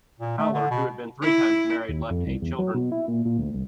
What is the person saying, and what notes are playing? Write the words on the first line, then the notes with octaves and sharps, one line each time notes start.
Haller, who had been three times married, left eight children.
A#2
A3
D3
B2
E4
D#2
F2
C2
E2
F#3
B2
E4
A#2
A#2
D2
C2